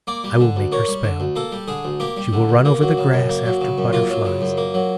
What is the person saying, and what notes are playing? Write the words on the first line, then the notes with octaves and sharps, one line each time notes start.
I will make her spell. She will run over the grass after butterflies.
A#3 D5
G3
D3
D2
A#3 C#5
G3
D3
D2
A#3 A4
G3
D3 G#4
D2
A#3 G4
G3
D3
D2
A#3
F#3
C#3
F#2
A#3
F#3
C#3
F#2
A#3 F4
F#3
C#3
F#2
A#3
F#3